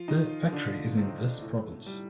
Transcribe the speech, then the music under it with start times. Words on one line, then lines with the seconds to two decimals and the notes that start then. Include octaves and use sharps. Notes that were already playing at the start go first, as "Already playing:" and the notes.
The factory is in this province.
Already playing: F3 F4
0.08 D#3 D#4
0.52 D3 D4
0.97 C3 C4
1.41 A2 A3
1.86 G3